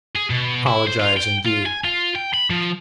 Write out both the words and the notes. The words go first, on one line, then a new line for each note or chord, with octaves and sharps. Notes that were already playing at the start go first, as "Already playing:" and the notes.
Apologise indeed!
G#4
B2
E4
C5
F4
G5
F4
G#5
F4
G5
B5
F3